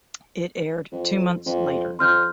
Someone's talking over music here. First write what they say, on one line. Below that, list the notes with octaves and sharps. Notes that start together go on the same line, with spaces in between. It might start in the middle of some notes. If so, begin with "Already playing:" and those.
It aired two months later.
F2
F2
F2 C6 F6 G6